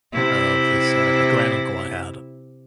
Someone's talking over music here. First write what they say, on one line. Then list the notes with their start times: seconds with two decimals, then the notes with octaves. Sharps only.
of this, uh a granduncle I had,
0.13 C3 E4